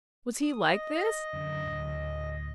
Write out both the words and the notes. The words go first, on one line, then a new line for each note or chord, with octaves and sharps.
Was he like this?
D#6
D#5
F#2 D3
D2 A2